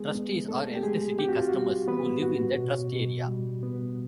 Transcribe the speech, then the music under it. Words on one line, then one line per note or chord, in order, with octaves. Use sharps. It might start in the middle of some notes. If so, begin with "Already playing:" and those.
Trustees are electricity customers who live in the Trust area.
Already playing: G#3 B3 G#4
B3
A3 D4 A4
G4
F#3 G#3 G#4
C4 G4
F#4
F4
G3 F#4
E3 B3 B4
A2 F#4
B2
B2
G3
B3